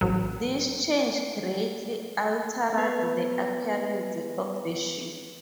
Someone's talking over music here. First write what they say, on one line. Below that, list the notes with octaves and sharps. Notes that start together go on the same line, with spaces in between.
This change greatly altered the appearance of the ship.
A1 F#3
B3 B4 G#6